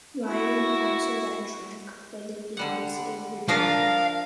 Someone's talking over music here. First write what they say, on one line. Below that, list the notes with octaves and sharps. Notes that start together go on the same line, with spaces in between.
Ryan also ran track for the University of Regina.
E4 F#4
D3 G3 F#5
F3 D4 A#4 F5